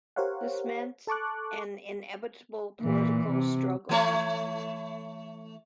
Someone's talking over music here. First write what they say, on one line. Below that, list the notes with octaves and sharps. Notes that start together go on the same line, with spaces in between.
This meant an inevitable political struggle.
G4 A#4 C5 C#5 F5 F#5
A4 A5 C#6 D6 F#6
A#2 E3
C3
E3 A3 C#5